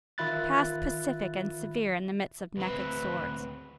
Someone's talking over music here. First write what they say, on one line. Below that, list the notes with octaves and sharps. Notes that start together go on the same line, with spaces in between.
He passed, pacific and severe, in the midst of naked swords.
D#3 F4 E5 B5 F#6 A6
D2 C4 B4